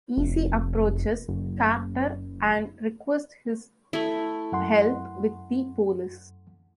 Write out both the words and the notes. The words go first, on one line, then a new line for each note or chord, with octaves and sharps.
Easy approaches Carter and requests his help with the police.
F1
F#1
A3 E4
F#2 F#5 C6